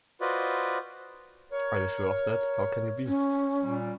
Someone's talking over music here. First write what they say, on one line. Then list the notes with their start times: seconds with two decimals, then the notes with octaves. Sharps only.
Are you sure of that? How can you be?
0.21 F4 F#4 B4 C5 D5 D#5
1.51 A#4 C#5
3.07 C#4
3.62 A#2 G3